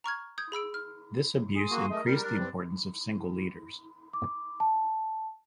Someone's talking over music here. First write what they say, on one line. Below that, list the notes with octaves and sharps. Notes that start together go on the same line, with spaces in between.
This abuse increased the importance of single leaders.
A#5 C#6 F6 G#6
D#6 G6 G#6
G#4 B5 E6 D7
F6
G#4 C6 D#6
A#3 F#4
G#3 A3 A#4 D#5
G3 A#4
G3 D4
G2 C4
D6
A5